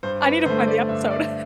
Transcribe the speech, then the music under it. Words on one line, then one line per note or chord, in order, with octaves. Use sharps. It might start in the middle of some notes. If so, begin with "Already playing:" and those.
I need to find the episode.
G2 C5
B4
D3 A3 C5
D5
G2 E5
D5